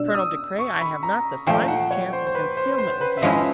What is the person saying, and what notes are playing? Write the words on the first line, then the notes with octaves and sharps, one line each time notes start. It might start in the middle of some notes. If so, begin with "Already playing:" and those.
Colonel De Craye, I have not the slightest chance of concealment with you.
Already playing: B2 G3 D4 E6
D#6
C#6
B5
A#5
A#2 F3 A3 G5
F#5
C#5
C5
C5
B4
C5
C5
B4
E5
F3 G#3 C#4 E4 D#5